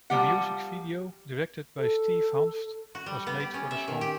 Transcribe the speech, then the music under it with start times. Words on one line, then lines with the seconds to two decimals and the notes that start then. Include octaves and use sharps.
A music video, directed by Steve Hanft, was made for the song.
0.10 F3 G3 A#3 G4 F#5
1.78 A4
2.95 F#4
3.06 G3
3.27 B3
3.40 G4
3.54 C#4
3.71 E5
3.88 D#3
4.01 G4